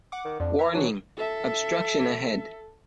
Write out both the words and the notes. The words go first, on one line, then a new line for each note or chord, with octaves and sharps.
Warning! Obstruction ahead.
F#5 D6
D#3
F2 D4
E3 E5 A#5
E3 F#3 D4
A4 E5